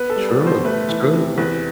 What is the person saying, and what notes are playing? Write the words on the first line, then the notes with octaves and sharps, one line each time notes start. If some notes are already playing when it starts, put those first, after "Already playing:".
True, true,
Already playing: B3 B4
A4
G3
A4
B2
C5
A3 B4
E3
C3
E2 B4